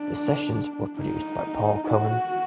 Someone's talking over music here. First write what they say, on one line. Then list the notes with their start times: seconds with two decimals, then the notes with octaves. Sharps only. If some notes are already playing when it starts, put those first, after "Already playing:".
The sessions were produced by Paul Cohen.
Already playing: D4
0.99 D#4
1.89 F#4